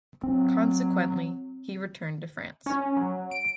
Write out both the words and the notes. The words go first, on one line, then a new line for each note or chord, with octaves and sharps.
Consequently, he returned to France.
F#3 C4
C#4
F#3
D7